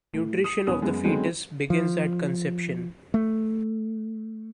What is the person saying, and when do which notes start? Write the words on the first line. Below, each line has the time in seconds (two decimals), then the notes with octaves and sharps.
Nutrition of the fetus begins at conception.
0.14 A2
0.44 D#6
0.67 D#1 B3 C#4 D#6
0.82 F#2 G#3 B3
1.04 D3 F#3 G#3 B3 C4 D#4
1.70 F3
3.14 A3